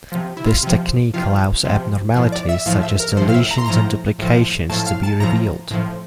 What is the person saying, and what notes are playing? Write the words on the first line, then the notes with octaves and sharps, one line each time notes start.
This technique allows abnormalities such as deletions and duplications to be revealed.
C3 F3
E4
F4
C3 F3
C3 F3 F4
C3 F3
A2 F3
D5
E5
A2 F3 F5
E5
A#4
A2 F3 C5
F5
E5
A#5
C6
A2 F3 A#5
A2 F3
A2 F3 A5
F5
A5
A2 F3 A#5
A2 F3